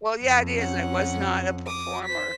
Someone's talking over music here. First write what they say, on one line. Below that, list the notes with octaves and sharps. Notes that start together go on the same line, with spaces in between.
Well, yeah, it is, I was not a performer.
F2
C#4 F#5
D6 D#6
C5 B6